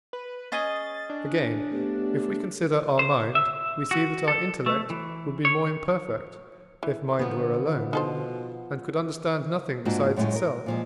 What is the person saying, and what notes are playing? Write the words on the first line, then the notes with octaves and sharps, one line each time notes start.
Again, if we consider our mind, we see that our intellect would be more imperfect, if mind were alone, and could understand nothing besides itself.
B4
C#4 G#4 D#5 A6
D4
A3 B3 G4
C5
E5
F#4
A4
A3
E3
C#5
E3
D3 F3 B3
B2 D#4 A4 C5
G#2 A#3 D4 F4 F#4 A5
F#2 A2 E3 G#3 A3
A#4
A#2 F3 G#3